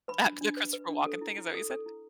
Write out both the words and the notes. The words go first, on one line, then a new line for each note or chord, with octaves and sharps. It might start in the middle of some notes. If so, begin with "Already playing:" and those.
Uh, the Christopher Walken thing, is that what you said?
B4 B5
D4
D4
B4
B4
D4
A4
E4
E4
A4
A4
E4